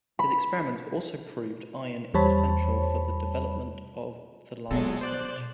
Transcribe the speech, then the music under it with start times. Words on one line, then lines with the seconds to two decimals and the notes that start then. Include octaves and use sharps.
His experiments also proved iron is essential for the development of the larval stage.
0.19 B5
2.14 E2 G3 C5 C#5 A5 B5
4.71 B2 F#3 G#3 A4
5.01 C5 D5 F#6